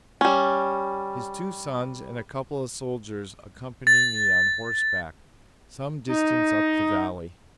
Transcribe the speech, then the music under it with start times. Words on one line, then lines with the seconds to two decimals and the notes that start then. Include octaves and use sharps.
His two sons and a couple of soldiers accompany me on horseback some distance up the valley.
0.21 G3 C#4
3.87 A6
6.09 D#4